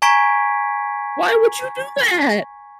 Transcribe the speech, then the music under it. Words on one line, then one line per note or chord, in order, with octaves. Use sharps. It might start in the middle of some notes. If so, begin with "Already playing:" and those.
Why would you do that?"
G#5 A#5 C#6 G#6 B6 D7